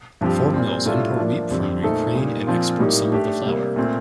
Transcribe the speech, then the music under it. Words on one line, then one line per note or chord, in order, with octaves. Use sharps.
Flour mills import wheat from Ukraine and export some of the flour.
G2 F3 C4 G4
A#2 G3 C4
A2 G3 D4 F4 A4
F3 A#3 D4
F2 D3 G3 C4
A#2 A3 D#4 A4 C5
A#2 G3 A#3 D#4
A#2 F3 C4 F4
A2 G3 A#3 D#4 G4
A3 D4 G4 D5
C3 G3 A#3
A#2 A3 C4